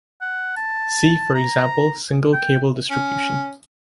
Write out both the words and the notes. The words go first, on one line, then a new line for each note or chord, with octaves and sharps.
See, for example, single cable distribution.
F#5
A5
A#5
G5
C#4